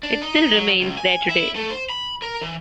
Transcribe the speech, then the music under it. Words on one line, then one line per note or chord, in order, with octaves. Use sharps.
It still remains there today.
D4
D#4
F#3
C#2
G#5
E4
A3
C5
B5
A#4
E3